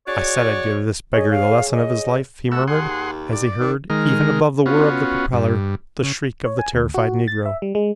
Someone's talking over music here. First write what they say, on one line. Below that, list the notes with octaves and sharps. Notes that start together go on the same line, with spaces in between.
"I said I'd give this beggar the lesson of his life," he murmured as he heard, even above the whir of the propeller, the shriek of the terrified Negro.
F#4 G#4 C#5 D5
G#4 C#5 D#5
F5
D#5
A3 F#4 E6
D#2 G#4 F#5 C6
D5
D#3
D#3 G#3 A#4 F6
B3 C#4 F4 F#4
G2
C#3
C#5
G#5
D2
F#4
A6
E5
G3
G#3